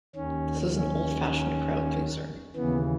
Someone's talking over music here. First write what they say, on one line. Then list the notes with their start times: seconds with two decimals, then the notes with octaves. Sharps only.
This is an old-fashioned crowd-pleaser.
0.15 D#2 D#3 C#4
0.76 C#4
2.56 D#2 C#3 E3 B3